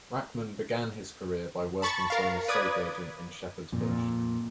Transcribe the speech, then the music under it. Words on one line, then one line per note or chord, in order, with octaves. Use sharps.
Rachman began his career by working for an estate agent in Shepherd's Bush.
A5 B5 C#6 A6 C#7
A#4 F5
B4 D5 D#6 G#6
F2 A#2